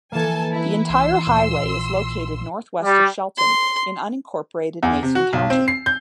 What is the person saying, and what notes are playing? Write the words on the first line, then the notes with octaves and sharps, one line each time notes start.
The entire highway is located northwest of Shelton in unincorporated Mason County.
E3 A#3 A4 G#5 A5
E4 B4
C2 C6 E6
D2 A#2
A#1
G3
C6
E2
C3
F#4
B1
C4
C7
G6